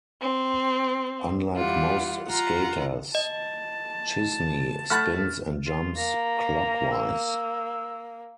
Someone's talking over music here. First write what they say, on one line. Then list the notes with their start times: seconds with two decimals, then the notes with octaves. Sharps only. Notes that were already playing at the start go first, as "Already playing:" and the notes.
Unlike most skaters, Czisny spins and jumps clockwise.
0.21 C4
1.56 E3 G3 F4 F#5
2.28 F4 F#5 A#5
3.15 D#5 A5
4.90 A3 F#5 B5 F6 A6
5.67 F4
5.97 A#3 A#5
6.92 E6